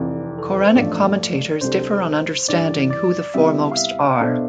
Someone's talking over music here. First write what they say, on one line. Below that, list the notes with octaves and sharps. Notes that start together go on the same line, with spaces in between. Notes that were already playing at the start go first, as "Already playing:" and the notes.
Quranic commentators differ on understanding who the foremost are.
Already playing: F1 F2 E3 D5
A4
B4
C5
A1 G2 F3 A3 D5
C2 C3 G3 D4 A4 C5
G2 E3 G3 D4 D5
D5
C3 G3 B3 E4 E5
F5
E5
B2 B3 D4 A4 C5